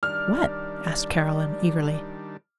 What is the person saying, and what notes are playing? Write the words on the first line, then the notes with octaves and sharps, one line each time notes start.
"What?" asked Caroline, eagerly.
D#3 G3 D4 D5 F6